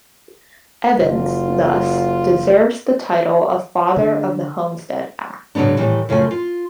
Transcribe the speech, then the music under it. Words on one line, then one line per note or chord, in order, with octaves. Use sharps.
Evans, thus, deserves the title of Father of the Homestead Act.
F#1 F4
D3
G#2 C#3 F#3 B3 D4
A2 D#3 E3 G3
F#2 C#3 F3 A3 G#5
F4